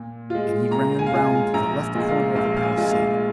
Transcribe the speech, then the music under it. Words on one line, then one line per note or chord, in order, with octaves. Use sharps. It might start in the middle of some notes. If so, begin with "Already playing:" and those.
And he ran round the left corner of the palisade.
Already playing: A#2
G#3 F4
A#2 A#5
G#5
F5
G#3 F4 G#5
G#5
A#1 A#5
A#2 G#3 F4
F5
A#1 F5
F5
G#5
A#2 G#3 F4
F5